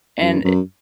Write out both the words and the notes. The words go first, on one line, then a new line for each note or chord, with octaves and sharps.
And, eh,
F#2
F#2